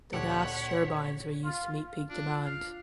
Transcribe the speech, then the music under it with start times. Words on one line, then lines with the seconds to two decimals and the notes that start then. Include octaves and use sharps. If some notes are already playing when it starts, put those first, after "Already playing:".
The gas turbines were used to meet peak demand.
0.13 D2 A#2 G4 A4 C#5 F#5 B6
1.44 F4
2.09 D4 F4
2.45 F5